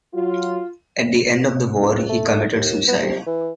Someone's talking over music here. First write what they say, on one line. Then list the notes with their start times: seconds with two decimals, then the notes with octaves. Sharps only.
At the end of the war, he committed suicide.
0.14 F#3 F4 F#4
1.82 C#2
2.09 A3
2.53 D#2
2.88 B3
3.02 C3
3.26 E3